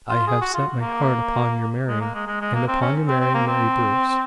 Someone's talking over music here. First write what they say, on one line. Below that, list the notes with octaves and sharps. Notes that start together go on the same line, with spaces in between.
I have set my heart upon your marrying, and upon your marrying Mary Bruce.
F4
G#4
F#4
F4
A#3
G#3
A#3
G#3
G#3
G#3
A#3
C4
C#4
C4
C4
A#3
C4